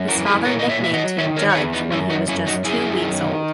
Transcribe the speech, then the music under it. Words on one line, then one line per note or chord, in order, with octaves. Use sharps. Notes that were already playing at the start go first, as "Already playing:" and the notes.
His father nicknamed him "Judge" when he was just two weeks old.
Already playing: F#2
E3 F#4 A#4
G#4 B4
A#2 A#4 C#5
D#5
C#5 E5
F#3 E5
D#5 F#5
D#3 C#5 E5
A#4 C#5
C#5
E2 G#4 B4
B3 D#4
F#2 C#4 E4
D#4 F#4
F#2 C#4 E4
D#4 F#4
F#2 E4 G#4
D#3